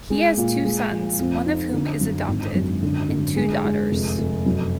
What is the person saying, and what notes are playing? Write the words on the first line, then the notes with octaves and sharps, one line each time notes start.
He has two sons, one of whom is adopted, and two daughters.
G#3
A#2
G#3
F3
F2
D#4
D3
F#2
G#1
F#2
D3
D3
G#3
G#3
F1
F1
F#2